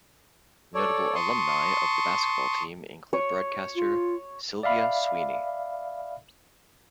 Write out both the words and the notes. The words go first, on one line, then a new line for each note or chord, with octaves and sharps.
Notable alumnae of the basketball team include broadcaster Sylvia Sweeney.
A4 C#5 D5
A5 C6 C#6 D#6
C#5
F4
D5 E5 F5 B5